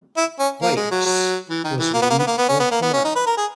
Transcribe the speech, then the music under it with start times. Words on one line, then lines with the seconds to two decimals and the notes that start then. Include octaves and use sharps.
Weichs was relieved of command.
0.17 E4
0.39 C#4
0.62 A#3
0.76 G#3
0.91 F#3
1.06 F#3
1.50 E3
1.64 D#3
1.79 E3
1.94 A#3
2.02 B3
2.10 A#3
2.19 B3
2.27 A#3
2.38 B3
2.49 C#4
2.60 B3
2.71 A#3
2.82 B3
2.94 C#4
3.04 D#4
3.16 B4
3.26 A#4
3.37 G#4